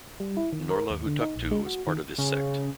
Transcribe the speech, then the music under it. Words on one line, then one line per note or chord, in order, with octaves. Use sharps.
Norla Hutuktu was part of this sect.
G3
E4
D#3
A#4
D#2
D3
D#4
A#1
G#3
F#4
D#3
C#3